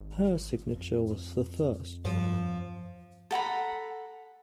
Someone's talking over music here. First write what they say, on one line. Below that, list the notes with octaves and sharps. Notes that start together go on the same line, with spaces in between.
Her signature was the first.
G#1
F2
G2 F3
A4 F#5 A#5 B5